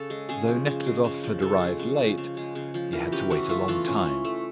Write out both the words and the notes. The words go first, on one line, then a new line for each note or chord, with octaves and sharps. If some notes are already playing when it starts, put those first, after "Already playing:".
Though Nekhludoff had arrived late, he had to wait a long time.
Already playing: C#3 A4
G#3
C#3 G#4
F3
C#3
G#3
C#3
F3
C#3 A4
G#3
C#3
F3
C#3
G#3
C#3
F3
E3 A#4
C#4 G4
E3 F#4
A3 F4
E3 F4
C#4
E3
A3